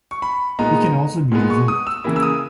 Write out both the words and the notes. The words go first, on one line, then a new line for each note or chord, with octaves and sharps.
It can also be revoked.
C#6
B5
A#2 G#3 B3 D#4 A#5
A#2 G#3 B3
C#6
D#6
E6
C#3 E3 A#3 E4
E6
D#6